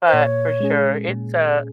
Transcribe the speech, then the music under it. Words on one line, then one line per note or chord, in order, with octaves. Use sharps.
but for sure, it's, uh
C5
A#2 C#5
G#3 C#4 G#4
A#2